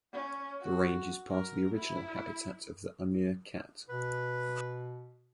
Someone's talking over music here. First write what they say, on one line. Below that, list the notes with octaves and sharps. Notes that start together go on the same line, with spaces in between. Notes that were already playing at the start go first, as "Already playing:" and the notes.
The range is part of the original habitat of the Amur cat.
C#4
F#4
A#4
E4
B2 B4